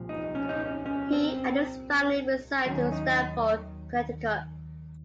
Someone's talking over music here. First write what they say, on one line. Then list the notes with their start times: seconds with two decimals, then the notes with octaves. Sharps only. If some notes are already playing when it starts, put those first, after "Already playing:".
He and his family reside in Stamford, Connecticut.
Already playing: C2 A#2 F3
0.09 D#4
0.35 C#4
0.49 D#4
0.60 C#4
0.86 C#4
1.13 C4
2.66 D#2 D#3 F#3 C#4
2.92 D#4